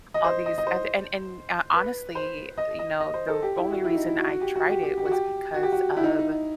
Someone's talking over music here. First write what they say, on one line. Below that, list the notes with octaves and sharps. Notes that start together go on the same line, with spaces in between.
all these oth and and, uh honestly, you know, the only reason I tried it was because of
D#5
C5
D#5
D#5
C5
B4
C5
D#5
D#5
D#5
C5
A4
G4
E4
F#4
E4
D#4
E4
F#4
F#4
G4
F#4
G4
G4
G4
F#4
G4
F#4
G4
F#4
E4
D#4
D#4